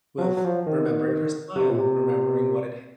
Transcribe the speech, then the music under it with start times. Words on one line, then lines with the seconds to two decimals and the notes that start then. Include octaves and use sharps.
with remembering her smile, remembering what it
0.18 F3
0.22 F#3
0.37 F#3
0.44 F3
0.66 D#3
1.56 C3
1.70 A#2
1.78 C3